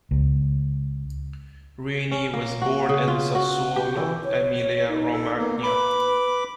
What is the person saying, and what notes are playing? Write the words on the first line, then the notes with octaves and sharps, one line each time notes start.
Ruini was born in Sassuolo, Emilia-Romagna.
C#2
C#4
A#3
F#4
C#3
F4
F#4
G4
E3
C#5
D#4
A4
A#3 B3
B4 B5 D6